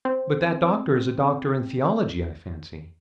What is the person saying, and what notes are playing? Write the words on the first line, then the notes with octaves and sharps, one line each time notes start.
'But that doctor is a doctor in theology, I fancy.
C4